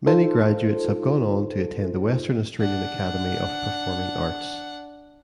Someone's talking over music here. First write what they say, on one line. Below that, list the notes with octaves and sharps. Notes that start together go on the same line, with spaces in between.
Many graduates have gone on to attend the Western Australian Academy of Performing Arts.
D#4 F4 A4 C5
D4 F#5